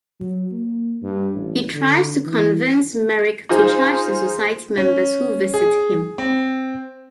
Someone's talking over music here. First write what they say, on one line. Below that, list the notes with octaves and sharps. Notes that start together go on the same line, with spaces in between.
He tries to convince Merrick to charge the society members who visit him.
F#3
A#3
G2
A1
D3
E3
D#4 F4 G#4 C5
C#4
G#4
C4